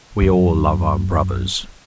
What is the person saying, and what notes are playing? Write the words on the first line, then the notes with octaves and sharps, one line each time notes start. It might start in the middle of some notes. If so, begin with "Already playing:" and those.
"We all love our brothers."
F#2 D3